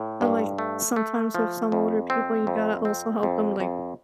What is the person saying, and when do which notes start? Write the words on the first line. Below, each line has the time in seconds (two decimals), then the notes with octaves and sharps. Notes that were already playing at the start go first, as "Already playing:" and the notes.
And, like, sometimes with some older people, you gotta also help them, like,
Already playing: A2
0.21 G2
0.58 A3
0.96 A3
1.35 F3
1.72 F2
2.10 C4
2.47 F2
2.85 C4
3.23 F2
3.60 F2